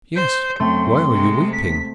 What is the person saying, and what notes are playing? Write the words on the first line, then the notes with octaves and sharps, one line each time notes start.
'Yes, why are you weeping?'
C5 G6
F#2 A3 C4 C6
C3 G#3
B6